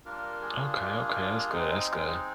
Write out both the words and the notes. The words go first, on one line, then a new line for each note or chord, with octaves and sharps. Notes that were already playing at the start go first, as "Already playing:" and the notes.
Okay, okay, that's good, that's good,
G3 A#3 D4 F4 A#4
G#4
G#3 C4 D#4